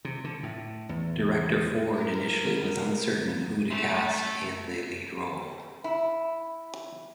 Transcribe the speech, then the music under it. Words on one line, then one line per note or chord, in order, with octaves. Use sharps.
Director Ford initially was uncertain who to cast in the lead role.
C3
D3
A2
E2
A#4
A3
E4